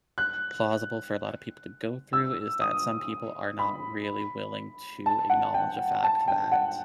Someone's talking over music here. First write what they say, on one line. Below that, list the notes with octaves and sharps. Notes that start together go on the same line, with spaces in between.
plausible for a lotta people to go through, is that some people are not really willing to acknowledge the fact that
F#6
E6
D#6
B5
A5
F#5
G5
A5
G5
F#5